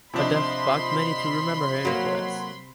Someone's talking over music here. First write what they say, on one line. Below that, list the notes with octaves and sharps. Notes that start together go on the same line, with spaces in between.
Her death sparked many to remember her influence.
C3 F3 D4 D#4 B5 C6
F#3 A#3